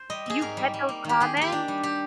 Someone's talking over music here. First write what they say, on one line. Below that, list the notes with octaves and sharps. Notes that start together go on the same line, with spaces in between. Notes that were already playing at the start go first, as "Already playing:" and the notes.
You get those comments?
Already playing: C5
G3 D#5
C4 G#4
G#2 A#4
G3
G3
A#3
D#3 G4
D#3 G#4
A#3 G4
D4
G3
G4